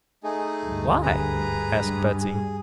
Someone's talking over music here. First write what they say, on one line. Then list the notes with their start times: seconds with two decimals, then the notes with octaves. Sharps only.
"Why?" asked Betsy.
0.24 A3 D#4 G#4
0.66 D2 G2
1.02 G#4 B4 A#5
1.76 G2
2.20 G#4